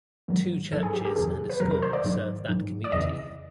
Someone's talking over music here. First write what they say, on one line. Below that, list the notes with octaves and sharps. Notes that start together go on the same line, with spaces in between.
Two churches and a school served that community.
G#2 D#3 F#3
G#2 D#3 F#3 A4
G#4
G4
G4
F2 C3 D#3 F#3 G#4
B4
F2 C3 D#3 F#3 A#4
A#4
C5
D5
G#2 D#3 F#3
G#2 D#3 F#3
D5
F2 C#3 E3 D#5